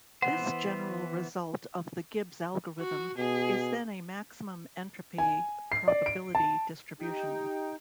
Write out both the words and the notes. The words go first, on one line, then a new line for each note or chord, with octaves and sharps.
This general result of the Gibbs algorithm is then a maximum entropy probability distribution.
E3 B3 C5 F#5
F#4
B2 G#4
G#5
C7
D5
D7
A5
D#4 G4 G5